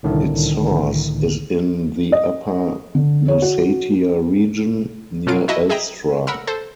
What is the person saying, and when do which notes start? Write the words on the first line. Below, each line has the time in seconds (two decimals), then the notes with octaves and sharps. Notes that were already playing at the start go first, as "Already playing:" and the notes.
Its source is in the Upper Lusatia region, near Elstra.
0.03 C2 A2 D3 D#3 A3
2.12 D#5
2.95 D3
3.28 C#5
3.42 F#4
5.26 B2 F#3 F4 F5 D7
5.48 E4 F#4 D#5 E5 A5
5.70 G#4 D#5 E5 G5 A#5
6.27 A#4 F#5 B5 E6
6.47 A4 C5 A5